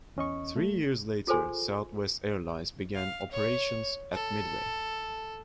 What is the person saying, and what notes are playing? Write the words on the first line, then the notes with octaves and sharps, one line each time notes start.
Three years later, Southwest Airlines began operations at Midway.
E2 C#4 D#5 C#6
A3
F4 G#4 A4 C5 G#5 C6
F5
C#5
A4